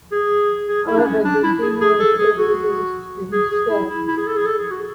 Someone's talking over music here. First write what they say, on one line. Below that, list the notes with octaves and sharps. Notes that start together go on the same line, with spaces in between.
However the demos were released instead.
G#4
G#4
E4
D4
C#4
D4
E4
G#4
G#4
A4
G#4
F#4
G#4
G#4
E4
E4
E4
G#4
A4
G#4
A4
G#4
F#4